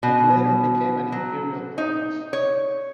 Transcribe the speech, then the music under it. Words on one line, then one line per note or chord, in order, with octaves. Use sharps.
It later became an Imperial province.
B2
F#3
D#4
C#5